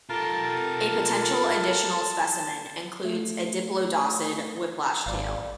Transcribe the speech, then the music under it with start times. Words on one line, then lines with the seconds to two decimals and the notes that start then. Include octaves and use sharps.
A potential additional specimen includes a diplodocid whiplash tail.
0.09 F4 G4 A4 A#4 A5
3.05 A3
5.06 G#1 D5 F5